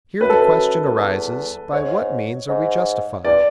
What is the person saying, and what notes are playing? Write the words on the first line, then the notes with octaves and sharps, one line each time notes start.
Here the question arises by what means are we justified?
F#2 B4
A4
B4
F#2
E2
G#2 C#5
G#2
E2 D5